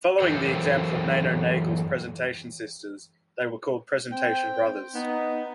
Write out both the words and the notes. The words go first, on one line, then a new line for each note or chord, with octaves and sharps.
Following the example of Nano Nagle's Presentation Sisters, they were called "Presentation Brothers".
F#2 E3 G4 A4 C5
C4 G5
B3 D#4